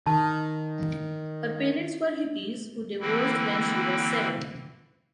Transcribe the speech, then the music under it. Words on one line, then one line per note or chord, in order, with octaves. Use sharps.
Her parents were hippies who divorced when she was seven.
D#3 A5
D3 E3 G3 A#3 C4 E4